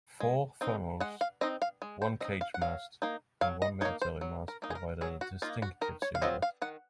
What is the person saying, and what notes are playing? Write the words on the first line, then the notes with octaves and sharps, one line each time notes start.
Four funnels, one cage mast, and one military mast provided a distinctive silhouette.
G#3
C4 D#4
G#3 F#5
F5
C4 D#4 D#5
F5
G#3
C5
C4 D#4 D#5
F5
F#5
F#3 F5
A#3 D#4
F#3 F5
D#5
A#3 D#4 C#5
C5
F#3
A#4
A#3 D#4
G#4
A#4
F#3 G#4
F#4
A#3 D#4 F4
F#4
D#3 A#4
C#5
F5
F#3 C4 F4 D#5
F5
D#3 F#5